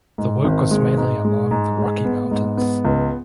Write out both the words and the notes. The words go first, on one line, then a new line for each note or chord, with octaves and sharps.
The work was mainly along the Rocky Mountains.
G#2
G#1
G#3
G#2
G#3
G#2
G#3
B3
G#2
B3
C#2